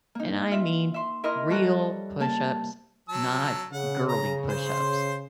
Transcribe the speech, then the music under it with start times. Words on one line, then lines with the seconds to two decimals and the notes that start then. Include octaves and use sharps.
and I mean real push-ups, not girly push-ups
0.15 A#3 D#4
0.51 F4 E5
0.94 E5 C6
1.24 E4 A#4 D#5 A#5 C6 F6
1.50 G3 A4 C#5 A#5 F#6
2.20 A#3 A5
3.09 F#3 A5 E6
3.73 C#3 F#5
4.08 A#5
4.50 C5 C6